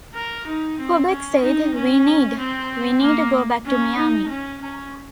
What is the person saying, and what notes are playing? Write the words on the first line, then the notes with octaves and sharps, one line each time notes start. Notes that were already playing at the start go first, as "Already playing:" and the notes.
Kubeck said, We need, we need to go back to Miami.
A#4
D#4
C4
C#4
D#4
C#4
C4
A#3
C#4
D#4
C#4
C#4